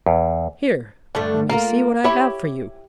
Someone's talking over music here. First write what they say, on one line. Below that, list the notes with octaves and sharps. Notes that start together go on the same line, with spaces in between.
"Here you may see what I have for you."
E2
D2 G2 A3 D4
A#3 F4 A4 A#4
E4 G4 C#5